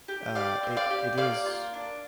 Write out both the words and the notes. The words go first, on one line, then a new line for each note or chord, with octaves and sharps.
uh, it it is,
G4
G4 D5 F5
C4
D5 F5
G4
A#3 D5 F5
F4
D4